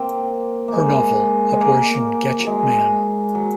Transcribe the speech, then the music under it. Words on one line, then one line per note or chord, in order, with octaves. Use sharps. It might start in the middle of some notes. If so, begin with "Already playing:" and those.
Her novel Operation Gadgetman!
Already playing: A#3 C4
G#3 A#3
G#3
A#3
F#3
G#3
F#3